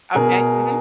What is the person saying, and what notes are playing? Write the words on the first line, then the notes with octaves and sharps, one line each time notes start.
Okay, mhm.
B2 G#4 A#4